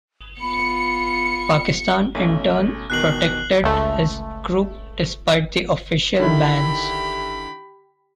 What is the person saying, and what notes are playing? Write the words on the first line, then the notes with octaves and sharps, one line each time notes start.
Pakistan in turn protected his group despite the official bans.
B3 F4 B5 C#7
B1 A3 C#4
E2 B2 D#3 F#6 C7 F#7
C#2 A3
D3 D#3 E4 G4 B5